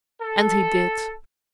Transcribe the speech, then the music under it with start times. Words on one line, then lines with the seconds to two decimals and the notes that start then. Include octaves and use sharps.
And he did.
0.21 A4